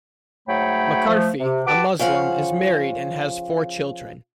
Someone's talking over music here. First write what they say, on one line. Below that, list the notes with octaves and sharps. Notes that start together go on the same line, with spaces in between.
Makarfi, a Muslim, is married and has four children.
G#2 F#3 A3 C#5 G5 B5
F3 A3
C3
F#4 G4 B4 A5 D6
C#3 F3 F5 F#5